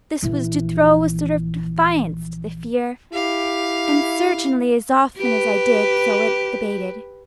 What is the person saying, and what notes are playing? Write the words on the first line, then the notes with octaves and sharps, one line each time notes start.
This was to throw a sort of defiance to the fear; and certainly as often as I did so it abated.
A#1 E3
E4 G4 F5
G4 B4